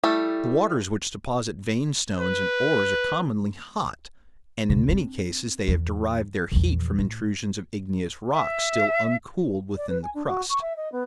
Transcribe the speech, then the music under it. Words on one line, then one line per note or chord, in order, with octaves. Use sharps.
The waters which deposit vein stones and ores are commonly hot, and in many cases they have derived their heat from intrusions of igneous rock still uncooled within the crust.
G3 A3 E4 A4
B4
C#2 B2
C4 D4
E2
A#1 E2
A2
E5
D5
B4
G#5
D4
F#4
C#6
E5
D#5
B3